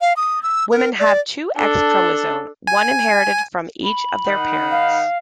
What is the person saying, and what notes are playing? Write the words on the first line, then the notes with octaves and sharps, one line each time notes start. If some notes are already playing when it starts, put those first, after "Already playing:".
Women have two X chromosomes, one inherited from each of their parents.
F5
D#6
E6
A#4
D5
D4 A4
G#5
B5
D#3 D#4 F#5
F5